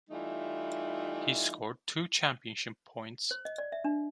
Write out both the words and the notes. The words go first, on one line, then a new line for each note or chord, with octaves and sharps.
He scored two championship points.
E3 G3 A3 D#4 F4
C5
D#5
D5
E5
D4